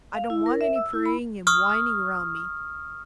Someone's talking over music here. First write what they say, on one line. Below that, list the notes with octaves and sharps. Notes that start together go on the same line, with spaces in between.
I don't want any praying and whining round me.
F5
E4
A#4
E5
E6
E4
B5
C#6 D#6 F6